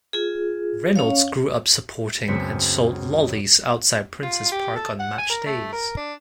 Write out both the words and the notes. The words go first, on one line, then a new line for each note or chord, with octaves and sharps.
Reynolds grew up supporting and sold lollies outside Princes Park on match days.
F4 G#4
C#4 C#5 F5
C#2 F#2 B3 C4 B6 C#7
F4
G4
A4
F#5
G#5
A#4
A3
A#4
D4